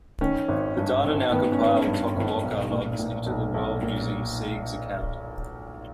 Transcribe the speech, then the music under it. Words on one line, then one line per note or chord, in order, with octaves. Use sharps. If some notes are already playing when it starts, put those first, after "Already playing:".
The data now compiled Tokuoka logs into The World using Sieg's account.
D#3 C#4
G#1
G2
G#1
D#3 B3
C#4
G#1 B3
C#4
G2
G#1
B1
A#2
A#2
B1
B1
A#2